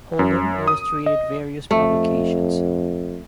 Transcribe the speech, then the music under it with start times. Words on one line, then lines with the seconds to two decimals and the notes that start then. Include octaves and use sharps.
Holden illustrated various publications.
0.19 F#2
0.68 D#6
1.06 D#5
1.71 F2 A3